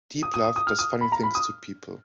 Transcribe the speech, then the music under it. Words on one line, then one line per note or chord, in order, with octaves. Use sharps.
Deep love does funny things to people'.
D#6
D#6
D#6
D#6
F6
D#6
B5
A#5
B5
D#6